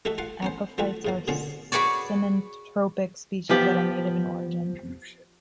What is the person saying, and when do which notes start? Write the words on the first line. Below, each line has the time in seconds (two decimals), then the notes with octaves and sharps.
Apophytes are synanthropic species that are native in origin.
0.05 A3 D#4 F#4 A4 E5
0.18 F4 F5 F#5
0.42 B3 C#4 C5
0.78 F3 A3 F4 F#4 E5
1.05 G#2 F3 A#3
1.28 B2 D3 F3 A#3 C4 C#4
1.72 F#4 G#4 B4 C#5 D5
3.49 F3 B3 G4